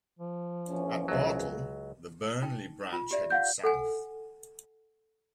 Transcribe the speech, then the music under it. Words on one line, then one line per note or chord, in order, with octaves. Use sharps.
At Bartle, the Burney Branch headed south.
F3
A#1 E2 C#4
C#2 F#3
D#4 G5
F4
G4 D5 E5
F5 F#5 G6
A4 F#5 G#5